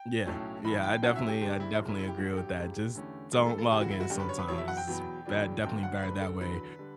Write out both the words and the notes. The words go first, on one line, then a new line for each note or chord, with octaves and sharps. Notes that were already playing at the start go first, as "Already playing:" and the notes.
Yeah yeah, I definitely I definitely agree with that, just don't log in sometimes, it's bet definitely better that way,
Already playing: G5
B1 A2 F#3 A3 C#4
B1 A2 E3 B5
G5
B1 A2 F#3 C#4 F#5
E5
G4
D2 C#3 G3 D4 G4
E4
G1 F#2 C#3
E4
E4
G4
A1 G2 F#3 F#4
A4
G4
C#2 C#3 G3
E2 D3 A3 C#4
G2 E3 A3 A4
A4
A4
C#2 C#3 E3 G4
F#4
E4
F#4
F#2 D3 G3 G4
B4
C#5
B4
E2 B2 F#3 C#5
E5
F#5
G5
E2 B2 F#3 B3
E2 C#3 F#3 B3 D4
F#1 F#2 D3 F#3 G5
F#5
D2 D3 G3 B4
A4
E2 D3 F#3 B4
D3 G3